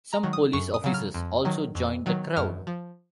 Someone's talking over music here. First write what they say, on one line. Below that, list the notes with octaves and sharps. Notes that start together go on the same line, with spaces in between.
Some police officers also joined the crowd.
A#5
D#3 F#3
D#6
F#2 C#6
D#6
C#3 F#3
F6
F2
D#3 F#3
F2
D#3 F#3
F#2 F6
F3